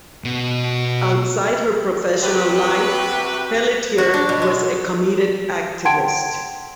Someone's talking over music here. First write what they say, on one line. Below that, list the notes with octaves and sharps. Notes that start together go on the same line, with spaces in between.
Outside her professional life, Pelletier was a committed activist.
B2
C3 F#4 G4 B4
F#4
D4
B2
G#3
F#5 G5 A5 C6 G#6 D7